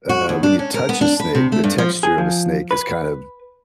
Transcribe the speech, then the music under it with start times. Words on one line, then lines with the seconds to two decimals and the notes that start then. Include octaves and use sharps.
uh, when you touch a snake, the texture of a snake is kind of
0.09 F#4
0.29 D#2
0.43 D4
0.59 C#4
0.74 A#4
0.89 B3
1.01 D4
1.20 B4
1.35 C3
1.52 A3
1.64 G2
1.78 F3
2.03 G#4
2.18 F3
2.71 B4